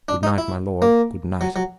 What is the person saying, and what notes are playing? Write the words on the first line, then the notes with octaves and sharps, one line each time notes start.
Good night, my lord, good night.
D4
D#4
E4
A#3
F#3
F#3